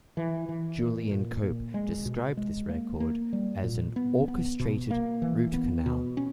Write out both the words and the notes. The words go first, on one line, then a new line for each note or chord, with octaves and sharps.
Julian Cope described this record as an "orchestrated root-canal".
E3
E3
A#2
A#2
A#2
G#3
B2
G#3
A#3
A#3
G3
A#2
B3
B3
B2
A#3
E3
B3
B2
C#4